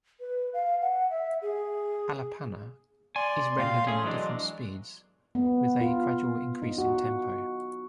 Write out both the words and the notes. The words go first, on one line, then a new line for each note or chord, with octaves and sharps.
Alapana is rendered in different speeds, with a gradual increase in tempo.
B4
F5
F#5
E5
G#4
D5 G#5 C6
A#2 C4 F4 F5
A3 C#4 G#4
E3 F#3 G#3 D4
B3
F4
D#4
F#4